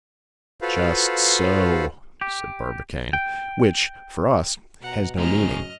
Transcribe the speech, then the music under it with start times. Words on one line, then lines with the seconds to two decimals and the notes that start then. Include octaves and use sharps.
"Just so," said Barbicane, "which for us has no meaning."
0.62 F4 F#4 A4 B4 C5 F5
2.21 G4
3.13 G5
4.81 B2 F#5 A#5
5.18 F#2 A2 C#3 C4 G#4 D#5 A#5 F6